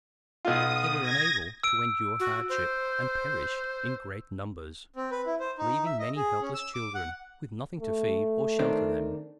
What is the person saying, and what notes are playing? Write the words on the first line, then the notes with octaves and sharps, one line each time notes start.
They were unable to endure hardships, and perished in great numbers, leaving many helpless children, with nothing to feed or shelter them.
B1 F4 D#6
G#6 A#6
E6 D7
F#4
C5
C4
B4
E4
C5
D#4
E5
D#5
G#4
C#4
E6
D6
F#5
A3
D#3 C4 D4